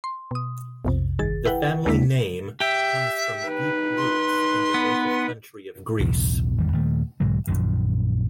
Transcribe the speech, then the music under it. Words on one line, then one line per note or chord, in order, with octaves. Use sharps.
The family name comes from deep roots in the native country of Greece.
C6
B2 D#6
B1 F2 C3
G1 D#3 G#4 A6
E4 B4 F#5 G5
D#2 G#3 A#3 D4 E4 B6
G4 E5 G5
D#4 B4
C6
B3
B1 E2 A2 C#3
G#1 E2 D#3 G3
D#2 A#2 D#3 A3
B1 G#2 D3 F#3
A#1 F#2 A#2 D#3